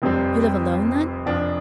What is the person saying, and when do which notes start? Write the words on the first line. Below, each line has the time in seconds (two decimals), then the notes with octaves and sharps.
"You live alone, then?"
0.02 F1 F2 C3 G3 C4
1.25 F1 F2 F3 D4